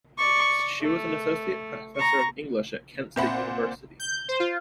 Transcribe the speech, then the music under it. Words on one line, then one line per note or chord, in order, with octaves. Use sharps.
She was an associate professor of English at Kent State University.
D5 C#6
A3
A#5 C#6
A#2 C4 C5 E5 F#5 B5
G6
C5
F4